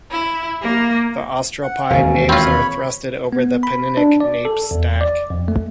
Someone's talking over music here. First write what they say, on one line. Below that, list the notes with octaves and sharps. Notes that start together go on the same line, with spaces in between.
The Austroalpine nappes are thrusted over the Penninic nappe stack.
E4
A#3
F#5
E1 D#2 C#4 F5
C4 F4 C#5 B5
B3
B5
D4
D5
A4
E2
D5
F2
A3